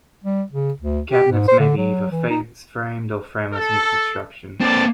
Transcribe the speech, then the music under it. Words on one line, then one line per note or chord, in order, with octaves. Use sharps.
Cabinets may be either face-frame or frameless in construction.
G3
C#3
D2
G4
G#2
C5
D3
F#3
E3
D#4
A4
A#3 C4 A4 D5 A5